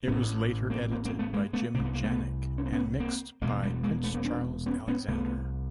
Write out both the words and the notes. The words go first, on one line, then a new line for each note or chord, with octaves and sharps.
It was later edited by Jim Janik and mixed by Prince Charles Alexander.
C4
A1 A2 B3 C#4
A#3 C4
A#3 C4
A#3 C4
A3 B3
G#3 A#3
A3 B3
C2 C3 C4
B3
A#3
A3 B3
C#4
C4
B3 C#4
A#3 C4
E1 E2 B2 G#3 A#3
G3 A3
G#3 A#3
A3 B3
A#3 C4
C4 D4
B3 C#4
B3 C#4
C2 C3 A3 B3